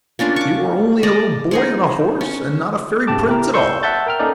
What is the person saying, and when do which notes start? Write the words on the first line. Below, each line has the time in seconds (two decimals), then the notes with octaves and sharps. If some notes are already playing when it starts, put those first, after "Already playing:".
"You are only a little boy on a horse, and not a fairy prince at all!"
0.19 A#3 C#4 D4 F4
0.36 C#6 D6
1.03 D5 D#5 A5 A#5
1.51 D#4 G#4 C5
2.21 C#4
3.07 G#2 C#3 G4 A5 D6
3.27 E4 G4 A#4
3.54 C6 C#6 E6 G6
3.83 E5 F#5 A5 G6 A6
4.06 A#4 G5 F6
4.19 A#3 C#4 D#4 A4 D5